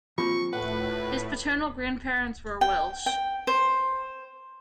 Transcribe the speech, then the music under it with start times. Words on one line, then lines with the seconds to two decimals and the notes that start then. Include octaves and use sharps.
His paternal grandparents were Welsh.
0.18 F3 A#3 C4 F4 C#6
0.53 A2 B4 F#5
2.61 G5
3.06 G5
3.47 C5